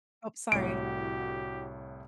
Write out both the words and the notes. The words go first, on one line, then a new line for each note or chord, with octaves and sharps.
Ope sorry.
C2 A2 D3 E4 F#4 G4 C#5 D7